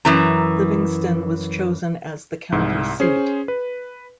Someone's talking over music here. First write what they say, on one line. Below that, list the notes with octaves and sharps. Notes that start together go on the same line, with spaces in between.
Livingston was chosen as the county seat.
F#2 E3 A#5
C2 G#2
C#4 G#4 C5 C7
B4